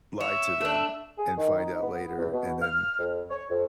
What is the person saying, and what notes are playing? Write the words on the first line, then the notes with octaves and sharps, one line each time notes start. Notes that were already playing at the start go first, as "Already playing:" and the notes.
lie to them and find out later and then
C#5 E5 E7
A3 D4
G#4
D#3
D#4
B3
E2
B2
F6
F2
C#5
F2